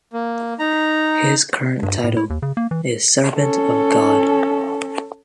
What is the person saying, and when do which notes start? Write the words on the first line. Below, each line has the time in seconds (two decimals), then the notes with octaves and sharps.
His current title is Servant of God.
0.13 A#3
0.59 D#4 A#5
1.83 G2
2.04 A2
2.17 E4
2.30 D#2
2.42 C#3
2.57 A#3
2.71 E3
3.35 C#4 A4